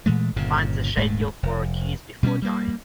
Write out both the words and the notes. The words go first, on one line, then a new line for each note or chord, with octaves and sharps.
Find the schedule for A Kiss Before Dying.
A#2 E3 G#3 A3
G1 A#2 C#3
D#1 G#2 G#3 A3
F1
B2 G3 A3 C#4
G3 A#3